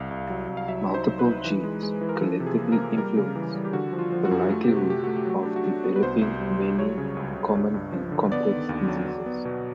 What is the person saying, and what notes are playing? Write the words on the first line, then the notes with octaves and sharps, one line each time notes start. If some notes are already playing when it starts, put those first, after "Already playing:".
Multiple genes collectively influence the likelihood of developing many common and complex diseases.
Already playing: C2 F5
C2
F#3
C2
F5
F#3 E5
D#4
C5
F#3
B4
D#4
E3
G#3
G#3
E3
A#4
F3 A4
C3
G#4
A#3
A#4
A#3
G3 A#4
C#3
E3
G3
G4
D3 F#4
F3
F4
F3
F#4
F#2
G4
A3 F#4
G4
C3
F#4
A3 G4
A3 F#4
G4
F#3 F#4
D4 G4
F#4
D4
B3
B4
C2 C5
C2
G3
G3
F#3 C#5
C#3
C#2
C#2
G2
G2
F3
D3
B3 D5
D#3
D#2
F#3
F#3
B3
B2